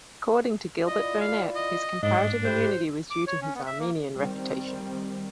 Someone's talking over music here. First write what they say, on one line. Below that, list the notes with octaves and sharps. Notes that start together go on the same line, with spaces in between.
According to Gilbert Burnet, his comparative immunity was due to his Arminian reputation.
E4 F4 D5 D#5
F5
D#5
G#2 D4 D#5
E4 G4 C5
D6
C#5
C#4
B3
E5
A#3
D#3 G3 C4